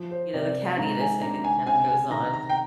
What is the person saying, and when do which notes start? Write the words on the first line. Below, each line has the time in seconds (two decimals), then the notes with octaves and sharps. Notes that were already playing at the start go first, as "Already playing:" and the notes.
you know, the cattiness, maybe, that kind of goes on.
Already playing: F3
0.11 C5
0.34 C3 D5
0.78 G#2 A#5
1.00 G#5
1.21 D4 A#5
1.44 G#5
1.66 C3 G#5
1.88 G#5
2.10 D#3 A#5
2.34 A#5
2.49 G5